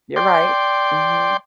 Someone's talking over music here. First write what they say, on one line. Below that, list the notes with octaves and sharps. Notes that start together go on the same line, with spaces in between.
You're right. Mhm.
D5 G5 C6